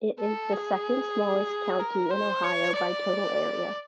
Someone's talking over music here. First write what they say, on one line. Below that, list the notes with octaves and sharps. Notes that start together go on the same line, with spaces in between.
It is the second-smallest county in Ohio by total area.
A4
G#4
A#4
C5
C#5
D5